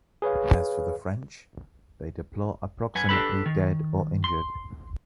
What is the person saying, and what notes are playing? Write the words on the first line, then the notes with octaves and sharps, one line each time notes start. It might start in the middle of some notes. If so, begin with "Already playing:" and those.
As for the French, they deplore approximately dead or injured.
G#4 B4 C#5 F5
F#2 B4 F#5 G#5
D4 G4 A4 B4 B5
D#3
C6